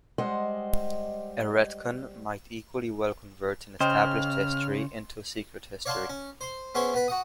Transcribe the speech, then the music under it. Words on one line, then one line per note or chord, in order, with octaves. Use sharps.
A retcon might equally well convert an established history into a secret history.
G3 G#3 C5 D#5 F#5
C#3 C5 D#5 G5 D#6 F6
C#5 D5 F5 F#5 A5 C6
C#4
C5 C6
B3 C#4 E4 G#4 C5 C#5
B3 B4 B5
F#4 F#5 D#6